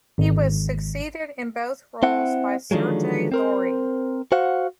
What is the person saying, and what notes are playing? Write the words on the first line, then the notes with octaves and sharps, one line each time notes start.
He was succeeded in both roles by Serge Lourie.
G#1
C4 E4 F#5
D3 D#3 F3 F#3 G#3
C4 A#4 C5
F#4 C5 F5 F#5